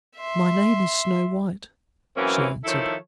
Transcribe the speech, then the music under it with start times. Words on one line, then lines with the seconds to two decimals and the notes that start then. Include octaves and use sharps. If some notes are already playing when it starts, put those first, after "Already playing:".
"My name is Snow-white," she answered.
0.16 E5 C6
2.16 F#2 E3 A#3 C4 C#4
2.64 D#3 F3 E4 A4 C#5 E5